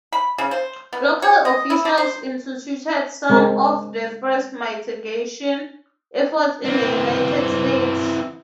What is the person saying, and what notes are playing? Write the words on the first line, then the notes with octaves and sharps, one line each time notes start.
Local officials instituted some of the first mitigation efforts in the United States.
B5
C#3
C5
B3
C#5
D#5
E4
D4
C5
G#3 C4 A#4
E3 C4